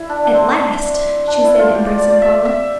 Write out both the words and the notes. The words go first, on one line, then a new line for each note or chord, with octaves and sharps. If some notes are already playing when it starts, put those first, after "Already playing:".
"At last," she said, embracing Paula.
Already playing: E4
D4
D4
C4
D4
E4
F4
G4
D5
D5
D5
E5
E5